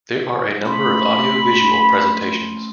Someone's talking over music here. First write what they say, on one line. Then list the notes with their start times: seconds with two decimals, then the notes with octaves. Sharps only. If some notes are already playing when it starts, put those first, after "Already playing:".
There are a number of audio-visual presentations.
0.63 A3 C#4 B5 C6